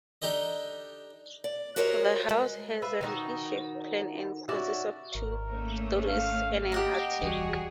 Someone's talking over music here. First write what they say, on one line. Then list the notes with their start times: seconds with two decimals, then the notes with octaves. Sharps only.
The house has an E-shaped plan and consists of two storeys and an attic.
0.22 D4 D#4 G4 A4 D#5
1.44 D5
1.76 F#4 G4 A#4 C5 C#5 D#5
2.29 G#3
2.82 F4 B4 E5
3.01 D#3 D#4 F#4
4.49 C#4 E4 F#4 D5
5.15 G#1 A#4
5.49 A3 A#3 C#4
6.08 F5
6.72 G4 D#5 F#5 A#5
7.21 E1 C#2 E3 G3 F#4 G#4